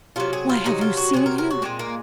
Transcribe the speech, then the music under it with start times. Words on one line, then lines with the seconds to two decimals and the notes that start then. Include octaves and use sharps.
Why, have you seen him?
0.16 C3 F#3 F4
0.33 G#4
0.49 F4
0.65 C3 F#3 D#4
0.81 F4
0.97 F#4
1.13 C3 F#3 G#4
1.26 A#4
1.38 A#4
1.51 F#4
1.62 A#2 F3 G#3 C4
1.79 A#3